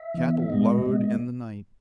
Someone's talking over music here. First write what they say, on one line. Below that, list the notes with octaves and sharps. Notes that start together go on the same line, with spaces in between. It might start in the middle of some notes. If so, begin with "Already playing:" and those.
Cattle lowed in the night.
Already playing: E5
E3 B3
E5
A#2 G#3 B3 D#5
A#2 G#3 B3